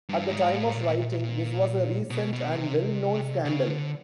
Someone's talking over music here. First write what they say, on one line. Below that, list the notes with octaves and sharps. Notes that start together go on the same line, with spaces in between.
At the time of writing, this was a recent and well-known scandal.
G2
G#2
A2
A#2
B2
B2
C3
C#3
D3